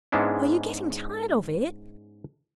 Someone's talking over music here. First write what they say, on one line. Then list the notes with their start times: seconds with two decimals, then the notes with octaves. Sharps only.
Are you getting tired of it?'
0.12 G#2 G#3 B3 C#4 D4 E4